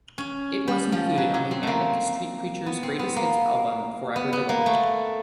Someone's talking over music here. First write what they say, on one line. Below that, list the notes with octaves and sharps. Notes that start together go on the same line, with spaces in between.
It was included on the Manic Street Preachers' Greatest Hits album, "Forever Delayed".
C#4
G3
F3
F#3
F#3
C4
A3 A#3
B3
C4
B3
A#3
B3
B3
A#3
A3